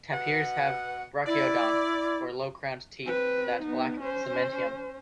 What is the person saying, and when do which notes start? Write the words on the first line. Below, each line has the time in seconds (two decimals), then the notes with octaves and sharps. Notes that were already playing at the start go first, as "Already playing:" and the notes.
Tapirs have brachyodont, or low-crowned teeth, that lack cementum.
0.12 B2 F#5
1.27 E4 D5
3.03 C4 B4
3.62 B3 D#4
4.00 C#4 C5